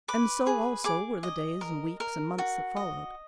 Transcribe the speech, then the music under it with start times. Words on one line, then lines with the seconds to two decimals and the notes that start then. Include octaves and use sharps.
And so also were the days and weeks and months that followed.
0.08 B4 D6
0.47 G#4
0.84 G#4 D6
1.23 D#5
1.61 A#4
2.00 A#4
2.38 F#4
2.76 D#5